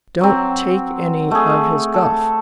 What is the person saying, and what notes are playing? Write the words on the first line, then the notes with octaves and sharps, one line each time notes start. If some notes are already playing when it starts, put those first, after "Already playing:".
"Don't take any of his guff!"
F#3 C4
A3 G#4
A4